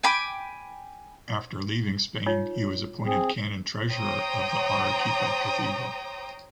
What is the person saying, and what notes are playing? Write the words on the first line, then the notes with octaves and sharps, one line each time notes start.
After leaving Spain, he was appointed canon treasurer of the Arequipa cathedral.
G5 G#5 B5 D6
D#4 F4 C#5
C4 G#4
C5 C#5 G5 A#5 D#6